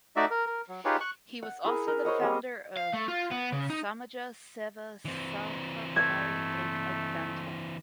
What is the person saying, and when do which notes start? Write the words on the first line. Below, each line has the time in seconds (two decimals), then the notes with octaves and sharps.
He was also the founder of Samaja Seva Sahakari Bank of Bantwal.
0.16 A3 D#4 F#4 D5 E5
0.31 A#4
0.47 A#4
0.69 F#3
0.85 D#4 F4 G4 G#4 B4 C#5
1.00 C#6 F#6
1.43 F#5
1.64 E4 G#4 A#4
1.88 A#4
2.05 C5 C#5 D#5 F#5
2.20 G3 G#3 C4
2.77 F5
2.94 A3
3.08 F4
3.31 B3
3.52 C#3
3.70 D#4
5.05 E3 C4
5.96 A3 G#6